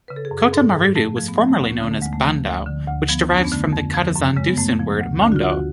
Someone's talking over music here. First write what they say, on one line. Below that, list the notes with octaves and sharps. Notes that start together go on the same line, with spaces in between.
Kota Marudu was formerly known as 'Bandau', which derives from the Kadazan-Dusun word 'Mondou'.
C#3 B4
A4
G#4
F#2
G#4
G#2 A4
G#2 G#4
F3 A3
F3
B3
F3 A3
A3
D2 B3
C#4
D3 C#4
A3
D2 G#3
A3
F3
D2
D3
D2
F3 B3
F2 D4
C#4
B3
D3 A3
F2
F3
F#2
C#3 G#3
B3
F#2 A3
F3
D2
D3 D4
F#4
F4
D2
F#4